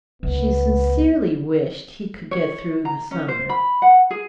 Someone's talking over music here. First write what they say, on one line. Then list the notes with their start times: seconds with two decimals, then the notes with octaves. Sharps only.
She sincerely wished he could get through the summer.
0.23 C#2 B3
2.31 C#5
2.85 A#5
3.11 C#4
3.28 C5
3.49 B5
3.82 F#5
4.11 G#4